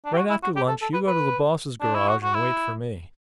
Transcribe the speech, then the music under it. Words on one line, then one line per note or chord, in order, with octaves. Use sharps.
Right after lunch you go to the boss's garage and wait for me.
D4
G4
F#4
E4
F#4
G4
A4
A4
B4
B4
D4
E4
F#4
F#4
E4